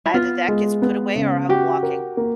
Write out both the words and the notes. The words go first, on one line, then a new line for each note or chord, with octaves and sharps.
"Either that gets put away or I'm walking."
E4
B3 F4
G#3
B3
C#3
F#4 G4
A#4
A#3